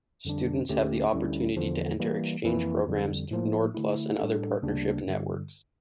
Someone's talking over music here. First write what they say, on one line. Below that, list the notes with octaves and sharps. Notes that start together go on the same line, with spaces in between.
Students have the opportunity to enter exchange programmes through Nordplus and other partnership networks.
F2 D3 G3 D4
D2 D3 A3 C#4 G4
D2 D3 G3 C#4 E4
E2 D3 F3
E3 G3 A#3
F2 E3 A#3 E4
F2 D3 G3
A2 F3 A#3
D3 A3 E4
A2 G3 D4 A4
D2 C#3 G3 A#3 D4
G2 D3 G3